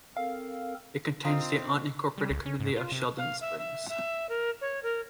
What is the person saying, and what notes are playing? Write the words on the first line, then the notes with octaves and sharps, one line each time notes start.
It contains the unincorporated community of Sheldon Springs.
C4 A4 A#4 F5
C4 D#4 F4 A#4
G3
C#2
C#4
G#2
F4
C3
F5
E5
E5
E5
A#4
C#5
A#4